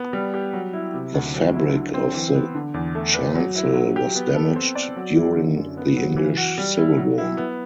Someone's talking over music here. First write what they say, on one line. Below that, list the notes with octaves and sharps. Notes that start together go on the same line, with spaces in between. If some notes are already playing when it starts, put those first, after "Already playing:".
The fabric of the chancel was damaged during the English Civil War.
Already playing: B3
G3
G4
F#3
E4
C3
D2
F#3
E4
D3
C4
E3
B3
D3
E2
A3
B4
F#3
E4
F#3
G4
B3
A4
C4
D5
F#3
E4
D3
F#2
B3
F#3
E3
F#4
G3
E4
F#3
E4
B3